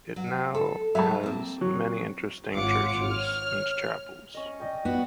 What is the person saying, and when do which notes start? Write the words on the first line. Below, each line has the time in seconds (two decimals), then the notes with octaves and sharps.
It now has many interesting churches and chapels.
0.16 F#3
0.55 A4
0.95 F#3 G#3 E5 A5
1.23 A#3 C4
1.61 F#3
2.54 G#1 F4 C#5 F#5 D6 C#7
3.07 C#5 F6
4.34 C#4 D#5
4.46 C#6
4.60 D5 D#5 G5
4.85 B3 F#4